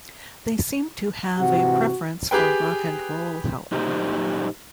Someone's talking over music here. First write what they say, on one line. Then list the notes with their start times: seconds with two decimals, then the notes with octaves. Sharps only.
They seem to have a preference for rock and roll, however.
1.39 G#2 C3 E3 F#4 F#5
2.31 G4 G#4 B4 G5
3.72 F#2 A#2 D#4 G4 C5